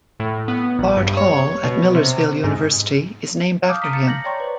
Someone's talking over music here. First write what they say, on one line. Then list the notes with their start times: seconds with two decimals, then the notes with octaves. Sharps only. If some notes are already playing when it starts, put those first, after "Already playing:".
Bard Hall at Millersville University is named after him.
0.20 A2
0.48 B3
0.79 A#1
0.97 G2
1.17 C#5
1.64 B2
1.95 C3
2.44 G#2
3.68 F5 A5 D6 D#6 F6 G6
3.82 A#5 F6 B6
3.93 A6 C#7
4.07 G6 A#6 F#7
4.24 C#5 D5 G5 A#5 C6 C#6
4.40 B4 C5